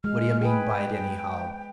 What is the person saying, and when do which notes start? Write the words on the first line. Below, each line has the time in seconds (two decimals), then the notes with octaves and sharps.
What d'you mean by it, anyhow?
0.04 G#3 F6
0.41 G#4 B4 G5